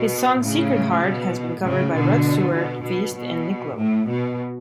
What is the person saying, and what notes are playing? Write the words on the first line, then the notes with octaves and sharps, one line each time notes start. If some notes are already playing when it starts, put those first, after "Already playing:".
His song "Secret Heart" has been covered by Rod Stewart, Feist, and Nick Lowe.
Already playing: B2
A2 C#3
B2
A2 C#3
B2 D3
B2
B2
B2
A2
B2